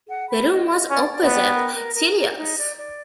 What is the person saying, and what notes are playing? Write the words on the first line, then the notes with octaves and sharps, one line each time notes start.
The room was opposite Celia's.
F#5
B5
D#5
D#5
C#4 D5
D5
B3
G5
A#4
A#4
A#4
A#4
D#4
D5
D5